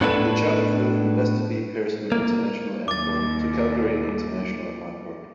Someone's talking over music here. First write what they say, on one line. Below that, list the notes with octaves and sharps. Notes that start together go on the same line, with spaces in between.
The charter flew from Lester B. Pearson International Airport to Calgary International Airport.
A2 B3 D4 E4 A4 B4
A#3
D#2 D6 A6